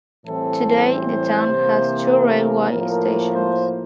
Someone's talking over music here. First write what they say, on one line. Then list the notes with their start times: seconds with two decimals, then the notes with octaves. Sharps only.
Today the town has two railway stations.
0.25 A2 E3 G3 C4 A4
0.87 C5
1.48 C3 E3 A#3
2.09 A#4
2.71 A2 F3 A#3 A#4
3.33 C5